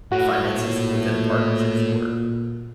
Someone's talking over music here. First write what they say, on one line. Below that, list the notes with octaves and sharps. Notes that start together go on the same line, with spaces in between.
finances within a partnership should work?
A2 F#4 F#5
A#2